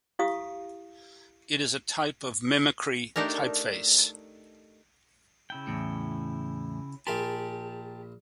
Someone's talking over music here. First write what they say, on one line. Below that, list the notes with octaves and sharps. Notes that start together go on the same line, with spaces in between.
It is a type of mimicry typeface.
E4 G4 F5 C#6 D#6
A3 D4 D#4 G4 A#4
C#3 E4 G5
E2 A2
A#1 G4 G#4 A#4 A5 C6